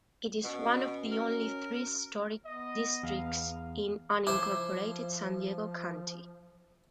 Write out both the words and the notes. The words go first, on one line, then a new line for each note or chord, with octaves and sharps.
It is one of only three historic districts in unincorporated San Diego County.
B2 C#4 F#4
A#4
B3 D#5
E2 F5
F3 E4 C5 D6